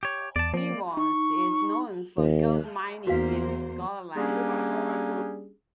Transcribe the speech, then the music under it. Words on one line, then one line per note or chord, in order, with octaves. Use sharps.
De Vos is known for gold mining in Scotland.
G4 C#5
E2 D5 A5
F3 A#3 D5
D#4 C#6
D#2
E2 A#3 F#4 C5 F5
G3 A#3 C#4 D4 G4 G#4